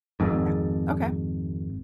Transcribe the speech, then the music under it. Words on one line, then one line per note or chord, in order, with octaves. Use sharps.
Yeah. Okay.
G#1 F2 G#2